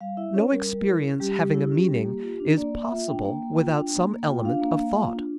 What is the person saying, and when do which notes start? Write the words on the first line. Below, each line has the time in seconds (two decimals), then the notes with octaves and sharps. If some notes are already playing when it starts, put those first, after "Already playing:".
No experience having a meaning is possible without some element of thought.
0.01 G3 F5
0.17 E4 E5
0.34 C#4 C#5
0.52 G3 A#4
0.69 G3
0.86 E4
1.03 C#4
1.20 G3 G4
1.38 G3 G4
1.54 E4
1.72 C#4
1.88 G3
2.06 A#3
2.23 F4
2.40 D4
2.57 A#3 D5
2.75 A#3
2.83 E5
2.92 F4
3.08 D4 G5
3.25 A#3
3.43 A#3
3.59 F4
3.77 D4
3.94 A#3
4.11 A#3
4.28 F4 G5
4.45 D4 F5
4.62 A#3
4.80 A#3
4.96 F4
5.14 D4